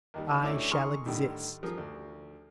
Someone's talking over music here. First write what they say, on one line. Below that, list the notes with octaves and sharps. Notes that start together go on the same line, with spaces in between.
I shall exist.
D#2 D#3 G3
D2 D3 C#4 E4 D6 E6
D#3 G#4 A#5 C6 C#6 F6
A2 D3 D#3 G3
F3 G4 G#4 A#4
D2